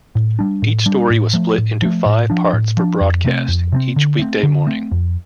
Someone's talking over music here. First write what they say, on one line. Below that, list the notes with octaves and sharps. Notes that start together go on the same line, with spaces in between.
Each story was split into five parts for broadcast each weekday morning.
A2
G3 D4
A2
G3 D4
A2
F3 A3
A2
F3 A3
A2
F3 D4
A2
F3 D4
F2
C3 A3 C4
F2
C3 A3 C4
D3
A3 C4
D3
A3 C4
F2